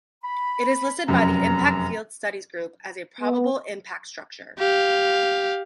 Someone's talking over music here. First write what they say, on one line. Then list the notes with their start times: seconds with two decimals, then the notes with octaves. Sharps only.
It is listed by the Impact Field Studies Group as a "probable" impact structure.
0.23 B5
1.08 F1 F#2 A#5
3.21 B3
4.58 G4 F5